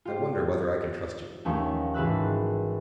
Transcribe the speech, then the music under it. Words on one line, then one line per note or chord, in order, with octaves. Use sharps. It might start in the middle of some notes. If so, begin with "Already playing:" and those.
I wonder whether I can trust you?
F4 G4
D#2 F3 A3 C#4
G#1 E3 B4 E6 F#6